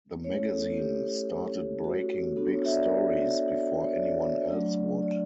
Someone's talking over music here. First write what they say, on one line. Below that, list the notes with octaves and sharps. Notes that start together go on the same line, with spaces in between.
The magazine started breaking big stories before anyone else would.
A3 C#4 E4 C#5
A4
G4
F#4
B3 D4 F#4 A4
C#5
E5
D5
C#5
C#5
D5
F#3 A3 D4
D5